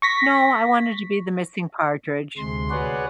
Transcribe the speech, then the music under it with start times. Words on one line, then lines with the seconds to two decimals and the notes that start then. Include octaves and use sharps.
No, I wanted to be the missing Partridge.
0.02 C#6 A#6 B6
2.37 D2 C3 G#3 C6
2.71 F#4 G#4 B4 C#5 D5 F#5